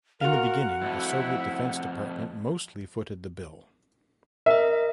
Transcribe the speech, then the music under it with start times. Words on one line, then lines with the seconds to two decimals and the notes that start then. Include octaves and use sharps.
In the beginning, the Soviet Defense Department mostly footed the bill.
0.21 F#4 A#4 F5 F#5
0.82 F2 A2 E4 E5
4.46 A#4 D#5 E5